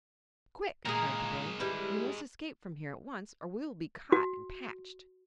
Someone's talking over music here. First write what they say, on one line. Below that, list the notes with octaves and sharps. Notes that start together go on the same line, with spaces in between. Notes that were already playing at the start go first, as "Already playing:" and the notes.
"Quick!" cried the boy; "we must escape from here at once or we will be caught and patched."
A#2 G#3 A#3 G#4 A#4
G3 E4 B4
F#4